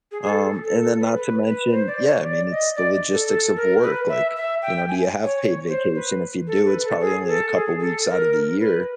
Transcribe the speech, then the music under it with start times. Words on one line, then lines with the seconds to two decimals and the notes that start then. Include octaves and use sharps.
Um, and then not to mention yeah, I mean, it's the logistics of work, like, you know, do you have paid vacation? If you do, it's probably only a couple weeks outta the year,
0.12 G#4
0.22 G#4
0.29 A4
0.64 A4
0.82 A4
0.99 B4
1.17 B4
1.44 B4
1.71 C5
1.87 D5
2.05 C#5
2.23 D5
2.50 D#5
2.76 D5
3.12 A4
3.29 A4
3.56 A#4
3.82 B4
4.09 E5
4.36 E5
4.62 G5
4.89 G#5
5.24 C#5
5.41 C#5
5.68 C5
5.95 B4
6.47 A4
6.65 B4
6.83 A4
7.00 G#4
7.27 A4
7.54 G#4
7.80 A4
8.07 A#4
8.59 B4